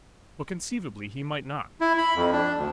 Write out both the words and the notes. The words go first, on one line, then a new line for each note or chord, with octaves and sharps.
But conceivably he might not.
E4
B5
F2
D4
D2